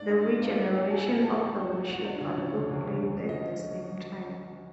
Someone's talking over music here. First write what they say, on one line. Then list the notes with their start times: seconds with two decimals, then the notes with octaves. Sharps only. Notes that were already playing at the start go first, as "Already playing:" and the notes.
The regeneration of the worshipper took place at the same time.
Already playing: G#2 D4 D5
0.08 G3 D#4 D#5
0.24 E3
0.41 G#2 F4 F5
0.57 G#2 F#4 F#5
0.73 E3 G4 G5
0.90 G#2 G#4 G#5
1.06 G#2 F4 F5
1.23 G#2 A4 A5
1.39 E3 G4 G5
1.55 G#2 G5
1.63 F#4 F#5
1.73 G#2
1.81 G5
1.89 F3 F#4 F#5
2.04 F3 D4 D5
2.21 D2 C#4 C#5
2.38 F3
2.53 D2
2.71 D2
2.87 D2
3.02 D2
3.20 F3
3.29 D#5